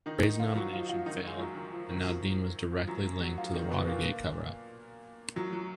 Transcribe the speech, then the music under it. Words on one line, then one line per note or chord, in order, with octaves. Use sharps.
Gray's nomination failed and now Dean was directly linked to the Watergate cover-up.
D#3 D#4
D#3 D#4
F3 F4
F#3 F#4
F3 F4
F3 F4
D#3 D#4
G#3
F#2 F#3
D#3
F3
D#3
F#3
F3
F3
F3
F#2 F#3
F#3 F#4
F3 F4
D#3 D#4
B2 B3
A#2 A#3
F#2 F#3
F#3